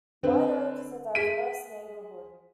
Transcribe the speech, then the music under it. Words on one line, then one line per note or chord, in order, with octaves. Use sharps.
White Oak is a diverse neighborhood.
D3 C4 B4
G#3 B6 D#7